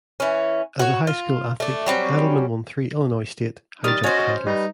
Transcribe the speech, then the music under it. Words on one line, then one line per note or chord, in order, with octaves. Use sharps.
As a high school athlete, Eddleman won three Illinois state high jump titles.
E3 C#4
F#4 C#5
F4
A3 D4
F#3 G3 C4 C#4
D#3 G3 D#6 F6 A6
C#4 F#4 C5 D#5
G3 D#4 B4